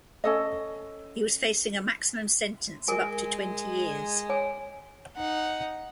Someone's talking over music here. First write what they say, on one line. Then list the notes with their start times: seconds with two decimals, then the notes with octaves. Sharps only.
He was facing a maximum sentence of up to twenty years.
0.24 C#4 A4 D#5
2.88 G#3 A#4 G#5
4.29 C#5 G#5
5.17 D#4 F#5